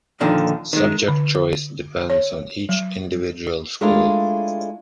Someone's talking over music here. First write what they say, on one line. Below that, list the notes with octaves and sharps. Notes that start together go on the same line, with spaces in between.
Subject choice depends on each individual school.
D#2 A#2 D3 D#3 F3
D#3 G#3
D3
C#5
F#3
G#3 A3 D4 E4 F4 A#4